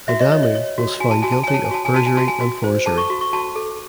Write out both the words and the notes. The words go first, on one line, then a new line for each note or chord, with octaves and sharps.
Adamu was found guilty of perjury and forgery.
F#4 E5
D#5
C#5
C#5
C#5
F#4
F#4 G#5
A5
F#4 G#5
A5
C#5 G#5
A5
G#5
F#4 A5
G#5
F#4 A5
G#5
F#4 A5
G#5
F#4
C5
A4 A5
C#6
F#4
C#6
F#4 A5
A4